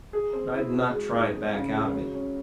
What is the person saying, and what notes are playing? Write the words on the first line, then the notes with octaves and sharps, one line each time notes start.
But I did not try to back out of it.
G#4
C4
E4
F#4
G#3
D#4
C4
C#3
G#3
F#3
C#4